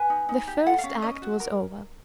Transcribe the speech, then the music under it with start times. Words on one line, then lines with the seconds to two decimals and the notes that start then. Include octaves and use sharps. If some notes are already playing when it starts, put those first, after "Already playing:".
The first act was over.
Already playing: B4 G#5
0.10 D#4
0.29 D#4
0.47 G4
0.66 A4 F#5
0.78 F5
0.84 C#4
1.02 C#4 D#5
1.22 F#4
1.40 A#4